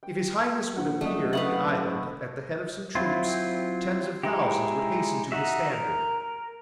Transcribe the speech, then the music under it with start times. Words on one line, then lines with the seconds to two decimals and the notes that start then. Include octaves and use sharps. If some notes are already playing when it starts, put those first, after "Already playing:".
If his Highness would appear in the island at the head of some troops, tens of thousands would hasten to his standard.
0.03 G5
0.76 A#1 F#5
1.01 F#1 A3 D4 D#5
1.33 A3 B3 B4 F5 F#5
2.95 F#3 C4 E4 F4
4.23 G#3 D#4 E4 G4
5.32 D#4 F#4 E5
5.72 A#4